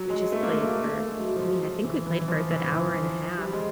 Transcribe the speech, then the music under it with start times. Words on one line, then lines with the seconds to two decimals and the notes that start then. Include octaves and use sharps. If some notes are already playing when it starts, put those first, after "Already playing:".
we just played for I mean, I think we played for a good hour and a half.
Already playing: F#3
0.10 G#3
0.32 A3
0.43 A#3
0.53 A3
0.64 A#3
0.76 A3
0.87 A3
0.97 A3
1.08 G#3
1.19 F#3
1.36 F3
1.41 F#3
1.84 E3
2.06 E3
2.20 E3
2.28 F3
2.51 E3
2.72 E3
2.94 F3
3.38 G3
3.53 G#3